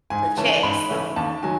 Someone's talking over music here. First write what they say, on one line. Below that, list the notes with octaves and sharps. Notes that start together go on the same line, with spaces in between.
the check, so
G#2 G#5
E3 A3 C#4 A5
G#2 B5
E3 A3 C#4
D#2 A5
D#3 F#3 G#5